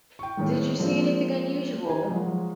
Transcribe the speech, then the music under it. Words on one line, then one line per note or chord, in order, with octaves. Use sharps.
Did you see anything unusual?
G5 C#6
A2 D#3 G#3
F3 G#3 A#3 C4 D4 F4
G4 C5 G#5
F3 F#3 G#3